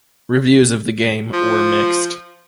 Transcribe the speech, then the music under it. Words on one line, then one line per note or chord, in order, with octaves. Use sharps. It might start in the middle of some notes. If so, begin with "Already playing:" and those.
Reviews of the game were mixed.
F3